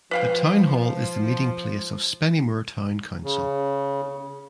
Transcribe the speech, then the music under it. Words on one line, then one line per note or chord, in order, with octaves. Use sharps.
The town hall is the meeting place of Spennymoor Town Council.
F3 B4 F5 G5
C#3